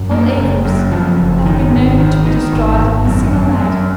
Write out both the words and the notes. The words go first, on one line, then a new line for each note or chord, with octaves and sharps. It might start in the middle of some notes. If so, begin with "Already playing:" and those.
Whole acres have been known to be destroyed in a single night.
Already playing: F#2
A#3
F#1
F#2
F3
F#1
D#3
G#1
D#3
D#3
G#1
G#1
F#2
F#2
F#2